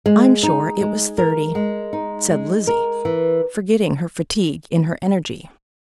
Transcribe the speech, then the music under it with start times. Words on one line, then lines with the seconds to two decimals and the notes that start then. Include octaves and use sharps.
"I'm sure it was thirty," said Lizzie, forgetting her fatigue in her energy.
0.06 G#3
0.43 D#4
0.81 G#3
1.18 A#4
1.55 G#3
1.93 D#4
2.29 G#3
2.67 A#4
3.05 E3